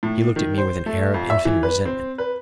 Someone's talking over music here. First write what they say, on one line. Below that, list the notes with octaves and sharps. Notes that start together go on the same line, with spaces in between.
He looked at me with an air of infinite resentment.
A2
D#3
C5
A3
F2
E5
E3
B4
C4
B4